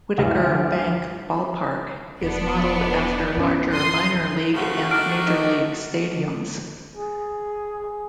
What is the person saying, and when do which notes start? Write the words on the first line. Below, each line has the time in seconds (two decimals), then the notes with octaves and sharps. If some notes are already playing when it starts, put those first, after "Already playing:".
Whitaker Bank Ballpark is modeled after larger minor-league and major-league stadiums.
0.18 D2 G2 D3 E3
2.22 E1 B3 D4
3.36 C2 G2 C#4
3.73 C6 D#6
4.53 C#3 F3 A3 F#4
4.91 D#3 D4 F6 D7
5.28 D#4
6.97 G#4